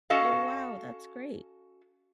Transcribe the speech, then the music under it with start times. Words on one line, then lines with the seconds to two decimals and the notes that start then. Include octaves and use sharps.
Oh, wow. That's great.
0.10 C#4 F#4 A4 D#5 F5